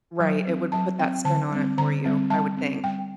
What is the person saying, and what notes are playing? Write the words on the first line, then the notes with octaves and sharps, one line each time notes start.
Right, it would put that spin on it for you, I would think.
F#3
C4
F#3 A5
C4 G5
D3 A5
G3 C4
D3 A#5
G3 C4
G3 A5
C4
G3 G5